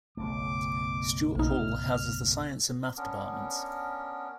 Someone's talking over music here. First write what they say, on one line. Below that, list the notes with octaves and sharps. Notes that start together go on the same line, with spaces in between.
Stewart Hall houses the science and math departments.
F#1 B1 A3 D6
A#1 D#4 F6
B3 C#4 D4 A#4